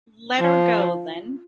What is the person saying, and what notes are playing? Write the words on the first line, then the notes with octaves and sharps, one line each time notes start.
Let her go, then.
F3